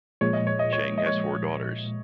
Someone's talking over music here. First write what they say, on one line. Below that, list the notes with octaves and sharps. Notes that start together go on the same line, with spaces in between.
Cheng has four daughters.
A#2 F3 G#3 C#5
D#5
C#5
D#5
C#5
D#5
C#5